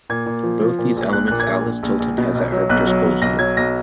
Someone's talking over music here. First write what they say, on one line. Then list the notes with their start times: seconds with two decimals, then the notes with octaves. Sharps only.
Both these elements Alice Tilton has at her disposal.
0.10 A#2 G#6
0.26 A#2
0.43 F3
0.62 F3
0.78 A#2
0.97 A#1
1.13 A#1 F#6
1.28 A#2 F#6
1.40 G#6
1.48 A#1
1.66 A#1
1.83 A#1
2.00 A#1
2.18 B2
2.35 B1
2.52 F#3
2.69 B1 F#6
2.87 F#3
3.04 B1
3.22 B1 A#6
3.39 F#3 G#6
3.57 B1 A#6